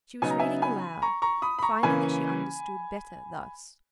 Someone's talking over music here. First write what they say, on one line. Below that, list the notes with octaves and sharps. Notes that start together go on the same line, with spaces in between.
She was reading aloud, finding that she understood better thus.
C#3 F#3 B3 D#4 G#5
A#5
E5 G#5
G#5 B5
A#5 C#6
A#5 C#6
B5 D#6
B5
A#5 C#6
C#3 E3 A#3 C#4 G#5 B5